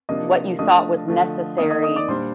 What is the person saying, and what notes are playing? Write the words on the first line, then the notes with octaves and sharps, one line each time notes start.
what you thought was necessary,
C3 F3 A#3 D4 D#5 D#6
F3 A3 D4 D#5 D#6
D3 F3 A3
D#3 A#3 D#4 D#5 D#6
D#5 D#6
D#5 D#6
D5 D6
A#2 G3 D4 C5 C6